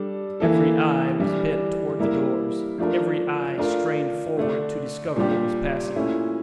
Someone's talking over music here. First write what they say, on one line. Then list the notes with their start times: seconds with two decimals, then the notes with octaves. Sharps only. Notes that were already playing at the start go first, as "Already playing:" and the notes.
Every eye was bent toward the doors--every eye strained forward to discover what was passing.
Already playing: G3 D4 A4
0.40 E3 A#3 E4 A4
1.20 E3 G3 D4
1.99 G3 A#3 E4 A#4
2.78 F3 A3 D4 F4 A#4
3.58 A3 D4 F4 A#4
4.37 D3 A3 D4
5.16 A#2 G3 D4 G4
5.96 A#2 A3 C#4 E4